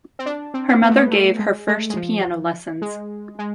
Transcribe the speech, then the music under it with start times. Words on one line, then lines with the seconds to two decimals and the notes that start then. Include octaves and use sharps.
Her mother gave her first piano lessons.
0.19 C4
0.26 D4
0.54 C4
0.69 C4
0.83 B3
0.90 A3
0.96 B3
1.11 A3
1.39 G#3
1.68 A3
1.90 G#3
1.96 F3
2.82 G#3
3.39 G#3